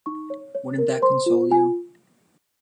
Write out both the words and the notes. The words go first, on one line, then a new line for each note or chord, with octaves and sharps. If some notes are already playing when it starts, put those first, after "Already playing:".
Wouldn't that console you?
D#4 C#6
C#5
C#5
A#4
C5 C6
F4
F4 G#5